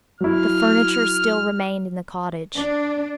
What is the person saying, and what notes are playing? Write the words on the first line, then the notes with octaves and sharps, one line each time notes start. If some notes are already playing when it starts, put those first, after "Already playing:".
The furniture still remained in the cottage.
F#3 E4 F6
D4